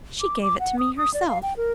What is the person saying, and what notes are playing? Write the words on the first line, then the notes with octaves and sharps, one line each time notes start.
"She gave it to me herself."
D6
D6
F#5
D#6
D#6
D5
F5
G5
A#4